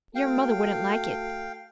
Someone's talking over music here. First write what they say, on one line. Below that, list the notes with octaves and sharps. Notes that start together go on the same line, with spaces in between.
"Your mother wouldn't like it."
A3 F#4 A4 F5 G5